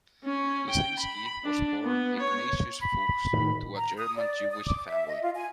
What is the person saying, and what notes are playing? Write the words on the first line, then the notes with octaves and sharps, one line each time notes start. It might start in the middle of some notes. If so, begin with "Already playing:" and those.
Lisinski was born Ignatius Fuchs to a German Jewish family.
C#4
G5
B5
D4
B3
C#5
B5
A2 D#3
A#5
D#6
D5
D#6
D6
E5
D#5
F4
G#5